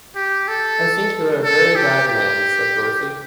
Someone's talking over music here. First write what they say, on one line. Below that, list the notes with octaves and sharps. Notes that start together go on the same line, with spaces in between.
"I think you are a very bad man," said Dorothy.
G4
A4
A4
G4
G4